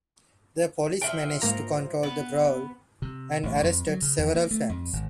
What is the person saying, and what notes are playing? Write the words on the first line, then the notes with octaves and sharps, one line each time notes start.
The police managed to control the brawl and arrested several fans.
F3 E5 G5
G#2 A#3 A#5
B3
C3
A1
F2
F#3
C#3
E2
A#3
A3
F2
G#1